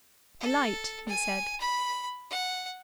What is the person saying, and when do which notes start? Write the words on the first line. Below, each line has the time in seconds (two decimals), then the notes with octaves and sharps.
"A light," he said.
0.41 A4
1.08 G#5
1.60 B5
2.30 F#5